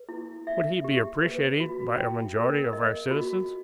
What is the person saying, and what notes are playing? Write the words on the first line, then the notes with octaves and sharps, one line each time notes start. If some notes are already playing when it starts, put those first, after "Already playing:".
Would he be appreciated by a majority of our citizens?
Already playing: B4
E4
E5
G4
B4
F#4
G5
A#4
D#5
F#4